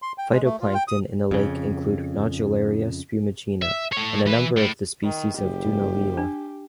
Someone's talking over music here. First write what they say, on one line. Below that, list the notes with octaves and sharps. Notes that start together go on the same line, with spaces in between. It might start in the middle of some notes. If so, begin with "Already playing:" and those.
Phytoplankton in the lake includes "Nodularia spumigena" and a number of species of "Dunaliella".
C6
G5
G#3
A3
F4
G5
D#6
F2 C#3
E5
A3 C#5
E3 B4
A2
D#3
F#1 G4
D4